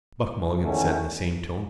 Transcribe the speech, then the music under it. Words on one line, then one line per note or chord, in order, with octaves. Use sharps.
Buck Mulligan said in the same tone.
E2 D#3 A3 C#4